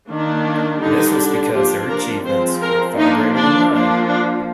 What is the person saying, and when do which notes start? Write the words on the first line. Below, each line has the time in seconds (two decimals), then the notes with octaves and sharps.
This was because their achievements were far greater than mine.
0.09 D#3 A#3 D4
0.81 D3 G3 D4 D#4
1.53 F3 A#3 D4 G4
1.89 A#4
2.26 F3 G#3 C4 C5
2.62 A#4
2.97 F3 A#3 D4 D#4
3.34 D4
3.70 F3 A#3 D4
4.06 D4